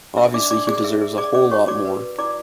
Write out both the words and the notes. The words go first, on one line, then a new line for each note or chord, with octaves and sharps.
Obviously he deserves a whole lot more.
D4 E5 E6
D4 D5 D6
D4 D5 D6
G#4 D5 D6
G#4 E5 E6
G#4
G#4 D5 D6
C#4 D5 D6
F#4 C#5 C#6
F#4 D5 D6
B4
B4
E4 D5 D6